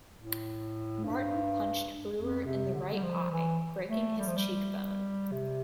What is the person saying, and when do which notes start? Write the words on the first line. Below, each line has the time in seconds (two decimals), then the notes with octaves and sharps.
Martin punched Brewer in the right eye, breaking his cheekbone.
0.18 A2
1.04 G2
2.18 F2
2.46 C3
2.74 D3
2.95 G3
3.03 F3
3.31 E3
3.88 A3
4.18 G3
4.27 F3
4.36 G3
5.32 C3